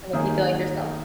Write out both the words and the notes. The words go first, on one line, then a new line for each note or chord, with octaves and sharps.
that make you feel like yourself?
D#3 A#3 D#4 G#4